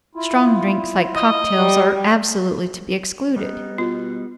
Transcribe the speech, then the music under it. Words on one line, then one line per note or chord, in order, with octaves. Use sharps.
Strong drinks like cocktails are absolutely to be excluded.
E4 F4
D#5
G3
G3 B3 D#4
B2 F4